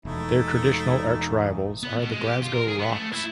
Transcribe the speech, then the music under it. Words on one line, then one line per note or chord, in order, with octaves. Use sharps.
Their traditional arch rivals are the Glasgow Rocks.
E1 A3 D#4 E4
B3
B2
G#3
G4
F4
A#4
G#4
B3
A3
E4